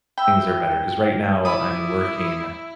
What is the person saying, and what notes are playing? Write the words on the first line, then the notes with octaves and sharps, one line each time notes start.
things are better. 'Cause right now, I'm working
E5 G5 B5
E4 D5 B5 D#6